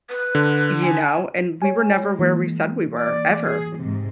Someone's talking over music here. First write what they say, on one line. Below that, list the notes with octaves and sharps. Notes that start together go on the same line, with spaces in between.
You know, and we were never where we said we were ever,
B4
D3
G#5
G#3 C#5 G#5
E3 A#3
D5
G#4
G#2 C3